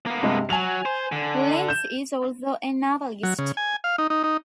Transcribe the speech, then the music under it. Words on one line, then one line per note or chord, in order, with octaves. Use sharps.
Lynch is also a novelist.
A#3 B3
G2 C3 G#3
F#3 G#5 F7
C5
D3
G6 E7
F#3
C#3
G#5
F5
D#4
D#4
D#4